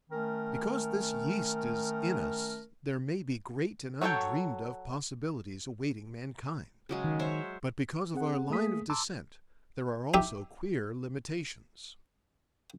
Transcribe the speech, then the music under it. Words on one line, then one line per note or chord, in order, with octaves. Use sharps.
Because this yeast is in us there may be great and undreamed of possibilities awaiting mankind; but because of our line of descent there are also queer limitations.
D#3 A3 C#4 A#4
F#3 F#4 A4 C#5 G5
C#3 F#3 G#3
D#3
C5 C#5 E5
C4 G#4 F#5
A3 A#3 G#4 D#6 B6
A5 A#5 C6 D6 E6
D#4 G4 E5